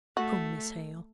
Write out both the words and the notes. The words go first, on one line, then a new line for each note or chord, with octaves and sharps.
'Come, Miss Hale.
A3 F#4